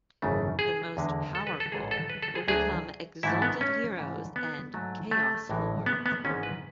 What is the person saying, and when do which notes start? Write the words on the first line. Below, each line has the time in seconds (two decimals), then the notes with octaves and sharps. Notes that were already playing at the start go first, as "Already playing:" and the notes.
The most powerful will become "Exalted heros" and "Chaos lords".
0.22 G#1 F#2 C#3 E3 A3
0.59 G#4
0.97 E2 D3 G#3
1.35 A4
1.47 B4
1.60 A4
1.72 A1 G#2 E3 G#3 G#4
1.91 A4
2.10 B4
2.22 A4
2.35 G#4
2.48 D2 D3 F#3 A3 G#4
3.23 G#2 E3 A3 E4
3.42 B3
3.61 C#4
3.98 G#2 E3 A3
4.36 B3
4.74 G#2 F#3 A3
5.11 A3
5.49 A1 A2 E3 G#3
5.86 B3
6.06 B3
6.24 G#1 G#2 E3 G#3 C#4
6.43 B4